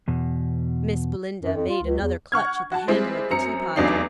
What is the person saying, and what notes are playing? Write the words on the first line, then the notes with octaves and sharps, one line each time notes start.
Miss Belinda made another clutch at the handle of the teapot.
E2 B2
F#2
F2
F4
C#2
E2
F#5 C#6 F6 G#6
F#4 A5
G3 G#3 C4 E4
F#2 C4 A#5 C#7
F1 E2 F#3 D4 D#4 C7